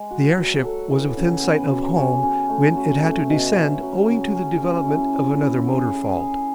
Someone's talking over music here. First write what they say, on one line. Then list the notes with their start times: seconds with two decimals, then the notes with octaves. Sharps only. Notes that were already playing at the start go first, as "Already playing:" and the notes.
The airship was within sight of home when it had to descend owing to the development of another motor fault.
Already playing: G#3
0.11 F#4
0.37 F#3
0.64 A4
0.91 E3
1.17 C#3
1.43 B3
1.70 F#3
1.97 C#4
2.23 C#4
2.49 A3
2.77 F#3
3.02 A3
3.30 B2
3.55 C#4
3.83 F#3
4.09 C#3
4.35 C#4
4.62 C#4
4.88 E4
5.14 E4
5.41 E4
5.68 G#4
5.94 G#4
6.21 G#4